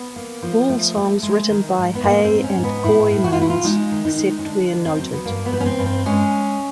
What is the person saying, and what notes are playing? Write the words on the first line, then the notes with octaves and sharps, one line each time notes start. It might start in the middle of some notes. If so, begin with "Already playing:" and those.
All songs written by Hay and Kooymans except where noted.
Already playing: B3
A#3
F3
A3
A3
G#3
D#3
G#2
B3
G#2 A#3
C4
G#2
C#4
G#2
B3
A2 E4
A2
F#4
F4
A2 E4
F4
G#3 D#4
D#3
D#4
G#3
C#4
D3 D4
D#2
C4
F#3 C4
B3
G2 A#3
B3
G3
C#4
C4
G2
C4
G#3 C#4